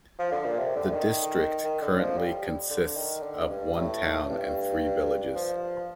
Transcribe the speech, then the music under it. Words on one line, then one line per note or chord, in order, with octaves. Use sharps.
The district currently consists of one town and three villages.
F3
D3
A#2
C3
D3
D#3
D#3
D3
F3
G3
D3
D#3
D3
G2
A2
G2
F3